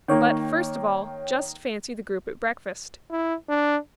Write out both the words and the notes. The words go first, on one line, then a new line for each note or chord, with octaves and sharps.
But, first of all, just fancy the group at breakfast.
D#3 A#3 C#5 G5
E4
D4